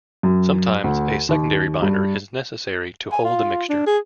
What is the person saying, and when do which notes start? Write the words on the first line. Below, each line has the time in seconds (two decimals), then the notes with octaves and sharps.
Sometimes a secondary binder is necessary to hold the mixture.
0.23 F#2
0.84 D2
1.29 D#2
1.82 G2
3.12 G#5
3.24 F4
3.69 D4
3.86 G#4